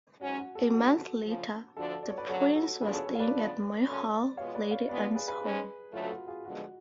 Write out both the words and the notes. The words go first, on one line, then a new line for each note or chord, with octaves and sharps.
A month later the Prince was staying at Moy Hall, Lady Anne's home.
G#2 F#3 C#4 F#4
F#4
F#4 A4
G#2 F3 G#3 D4 F#4 A4
D2 C#3 F3
D2 D3 F3 A3 D4 F#4 A4
D5
C#5
B4 D5
D2 C#3 F#3 A4 C#5
F#4 A4
C#3 F3 B3 D4 F4 G#4 B4
A4 C#5
A4 C#5
F5
B4 D5
C#3 F3 B3 D4 F4
F#2 C#3 F#3 A3 C#4
B2 G#3 B3 F4 C#5 F5
B4 D5
C#5 F5
C#3 G#3 B3 F4 B4 D5
G#4 B4
G#4 B4
G#2 G#3 C#4
D2 C#3 F#3 A3 F4
F#4
F4 G#4
D2 D3 F3 G#3 B3 F#4